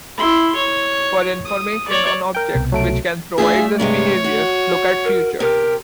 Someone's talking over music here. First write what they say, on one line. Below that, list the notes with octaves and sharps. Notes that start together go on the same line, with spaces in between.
For information on objects which can provide this behavior, look at "futures".
E4 C6
C#5
D#6
C#5 D5
A#4 G5
C2 B2
F#3 A3 D7
A3 D4 F4 G#4 E5
G2 C3 G#3 C#5
F#4
A#4
C3 G4 A#4